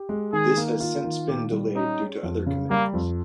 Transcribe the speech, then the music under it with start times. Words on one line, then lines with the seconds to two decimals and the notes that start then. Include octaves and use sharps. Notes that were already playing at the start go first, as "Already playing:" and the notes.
This has since been delayed due to other commitments.
Already playing: G4
0.09 G#3
0.33 D#3 G#4
0.57 A#3
0.80 F4
1.04 D#3
1.28 A#2 G4
1.51 G3
1.75 C#4 D#4
1.99 G#4
2.23 F2
2.46 C#3
2.70 G3 A#3
2.93 F2